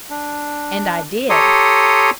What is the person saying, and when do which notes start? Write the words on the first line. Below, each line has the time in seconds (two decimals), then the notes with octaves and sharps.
And I did.
0.10 D4
1.30 G4 A4 C#5 A#5 C6 D#6